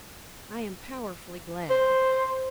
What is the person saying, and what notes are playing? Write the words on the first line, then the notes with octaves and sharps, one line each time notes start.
I am powerfully glad.
C5